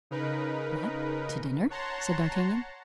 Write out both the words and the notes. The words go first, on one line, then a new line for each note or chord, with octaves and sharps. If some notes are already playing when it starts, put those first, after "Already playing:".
"What! to dinner?" said D'Artagnan.
C#3 D#4 A#4 B4
C#5 F#5 A5 A#5 C6